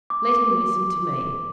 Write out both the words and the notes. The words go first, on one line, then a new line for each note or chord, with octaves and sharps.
Let him listen to me.
D6